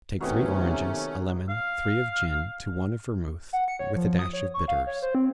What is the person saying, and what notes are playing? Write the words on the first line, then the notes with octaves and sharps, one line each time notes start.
Take three oranges, a lemon, three of gin, to one of vermouth, with a dash of bitters.
C3 D#3 F#3 A3 B3 C#4 G5
F5
F#5
C#7
C#5
F3
D#6
C#5
C#6
F5
C#5
C5
C4